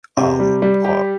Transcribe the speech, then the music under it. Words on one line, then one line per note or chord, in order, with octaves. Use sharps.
um, uh,
C3
G3
G3
G4